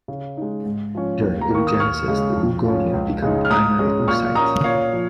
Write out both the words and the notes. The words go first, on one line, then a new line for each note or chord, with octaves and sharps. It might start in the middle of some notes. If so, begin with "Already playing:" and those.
During oogenesis, the oogonia become primary oocytes.
C#3
G#3 D#4
G#2
F3 C#4
D#2
A#5
D#3 A#3 C#6
D#6
D#2 C#6 F6
C#3 G#3
F2
F3 C#4
C#2
C#3 G#3 D#4
F6
G#2 A#5 D#6
G#3 C#4
A#2 C#6 F6
A#3 C#4 A#5 D#6
A#2 C#5 F5
F3